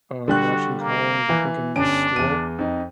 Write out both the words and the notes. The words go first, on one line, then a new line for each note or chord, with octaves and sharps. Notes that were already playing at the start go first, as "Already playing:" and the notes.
uh, watching Cars, I think in, like, school.
D3 G3 F#4 F#6
A#3
E3
G1 C#4 D4 D7
E2 D#7
F2 D#4